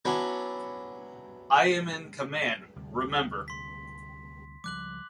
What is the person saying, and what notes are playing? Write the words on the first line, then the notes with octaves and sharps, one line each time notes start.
I am in command, remember.
F#3 B3 C#4 D4 E4
D2 C3 G3
C6 B6
C#2 F3 G3 D6 F#6 F#7